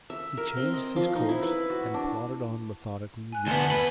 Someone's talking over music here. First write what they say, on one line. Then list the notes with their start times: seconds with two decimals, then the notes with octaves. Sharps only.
He changed his course and plodded on methodically again.
0.10 E5
0.37 A#4
0.57 C4
0.74 D#5
0.96 F3
1.16 D#4
1.29 E4
1.43 B4
1.70 F#4
1.94 D4
3.32 G#5 F#6
3.47 D2 B3 G#5 A5 G7
3.72 E2 B4